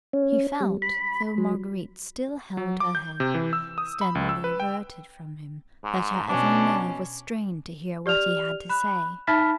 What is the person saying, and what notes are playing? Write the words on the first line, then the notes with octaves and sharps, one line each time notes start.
He felt, though Marguerite still held her head steadily averted from him, that her every nerve was strained to hear what he had to say.
C#4
G3
B5
F#3
F#3
D6
G6
C3
E3
E6
D#6
B5
C#2
E6
B4
G5
G#2
B2 C#4 D4
G4 D5 F6 F7
B5 F#6
D#4 E5 A5 B5 F6 B6